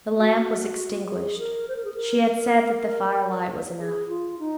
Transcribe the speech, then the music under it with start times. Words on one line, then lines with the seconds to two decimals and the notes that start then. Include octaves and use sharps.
The lamp was extinguished; she had said that the firelight was enough.
0.17 F#4
1.08 G#4
1.38 A#4
1.68 C5
1.76 A#4
1.85 G#4
1.94 A#4
3.79 G#4
4.08 F4
4.39 D#4